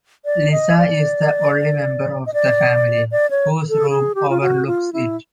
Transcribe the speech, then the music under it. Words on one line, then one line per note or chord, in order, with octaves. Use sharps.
Lisa is the only member of the family whose room overlooks it.
D5
D#5
D5
D#5
D5
D5
C#5
A4
G#4
G4
F4
F#4
F4
E4